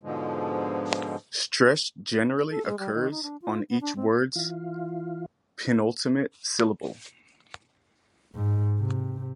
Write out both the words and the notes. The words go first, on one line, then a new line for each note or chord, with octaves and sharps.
Stress generally occurs on each word's penultimate syllable.
G#2 B2 D3 F3 G#3
A4
G#3
G3
D#3
D#4
D4
F4
B3
D4
C4
E3 F4
G#2
C3